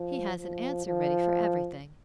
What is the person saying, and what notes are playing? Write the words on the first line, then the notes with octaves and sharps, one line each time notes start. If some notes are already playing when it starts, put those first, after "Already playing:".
He has an answer ready for everything.
Already playing: F3
F3
F3